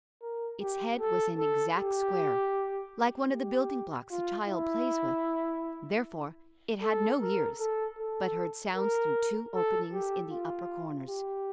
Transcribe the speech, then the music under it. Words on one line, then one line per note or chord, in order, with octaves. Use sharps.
Its head was an exact square, like one of the building-blocks a child plays with; therefore it had no ears, but heard sounds through two openings in the upper corners.
A#4
G4
A4
A4
G4
G4
F4
E4
A4
A#4
A4
A4
A#4
A4
G4
F4
G4